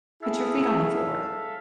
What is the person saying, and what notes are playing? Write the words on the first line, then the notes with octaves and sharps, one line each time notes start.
put your feet on the floor
E4 G#4 A4 E5 F5